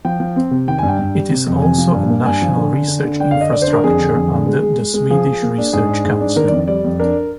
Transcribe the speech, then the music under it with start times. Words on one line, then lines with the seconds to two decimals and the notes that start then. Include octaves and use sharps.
It is also a national research infrastructure under the Swedish Research Council.
0.05 F3 G5
0.20 F3
0.36 C4
0.51 C3
0.68 D#3 G5
0.78 G2 G#5
0.88 G5
0.99 G2
1.15 G3
1.30 C3
1.47 F2
1.62 C3 G#5
1.78 F3
1.93 G2
2.10 A#3
2.25 G2 G#5
2.42 F3
2.57 D3
2.73 D3
2.88 D3
3.05 D3
3.20 D4 G5
3.31 F5
3.37 D3 D#5
3.51 D3 D5
3.62 C5
3.67 D4
3.73 A#4
3.84 F2 G#4
3.99 D3
4.15 F2
4.32 D3
4.46 G#3
4.62 G#3
4.78 G#3
4.94 G#3
5.10 F3 G#4
5.25 F3
5.42 A#3
5.58 D4
5.73 G#2 G#4
5.89 D4
6.05 G#2
6.21 D4
6.36 D#3 A#4
6.48 F2 D5
6.68 G3 D5
6.84 F2
7.00 D4 A#4